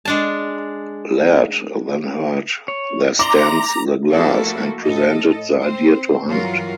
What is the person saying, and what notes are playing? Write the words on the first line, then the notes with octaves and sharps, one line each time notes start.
Laird then heard "There Stands the Glass" and presented the idea to Hunt.
G#3 D4 A5
C#5
E4 D5 A#5 C6 D6
F3 A3 A#3 E4 F#4 A4
A2 A4 D#5
C4 C5
G2 E3 F#3 F4 F#4 A#4